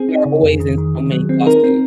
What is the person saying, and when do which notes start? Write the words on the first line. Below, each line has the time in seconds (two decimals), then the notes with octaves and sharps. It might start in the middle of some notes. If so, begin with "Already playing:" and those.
they are always in so many lawsuits.
Already playing: C4 G#4
0.09 D#4
0.25 C#3
0.43 F2
0.60 D#3
0.78 D#3
0.95 D#3
1.12 F#3
1.29 C4
1.41 G#4
1.46 D#4 A#4
1.64 C4